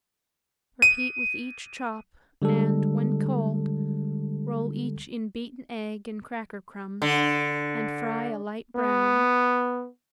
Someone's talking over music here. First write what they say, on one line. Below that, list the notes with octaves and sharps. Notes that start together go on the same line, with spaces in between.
Repeat with each chop, and when cold roll each in beaten egg and cracker crumbs, and fry a light brown.
D#7
D3 G3 G#3 A4
D3
B3